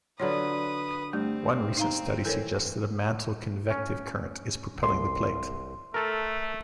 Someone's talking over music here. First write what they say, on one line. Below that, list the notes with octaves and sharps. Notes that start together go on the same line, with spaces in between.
One recent study suggests that a mantle convective current is propelling the plate.
D3 F#3 F4 B4 C#5 D#6
G2 A3 C4
D#4 F5 A#5
E3 A4 A#4 C#5
C#4
C2 C6
A3 A4 A#4